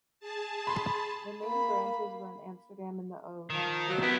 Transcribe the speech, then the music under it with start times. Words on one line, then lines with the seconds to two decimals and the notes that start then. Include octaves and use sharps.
The main branches were in Amsterdam and The Hague.
0.20 G#4 A5
0.67 B5 C6
1.43 A#3 B5
3.50 D#3 F3
3.89 F#3
4.02 B3 E4 G4